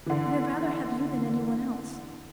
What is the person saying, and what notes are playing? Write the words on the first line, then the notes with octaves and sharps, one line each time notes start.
And I'd rather have you than any one else.
D3 E3